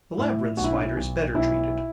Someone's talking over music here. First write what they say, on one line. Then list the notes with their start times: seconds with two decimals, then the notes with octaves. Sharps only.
The Labyrinth Spider is better treated.
0.18 A2 E4
0.57 B1 F#4
0.64 E4
0.72 C#4
0.79 E4
0.96 B1
1.34 B1 E4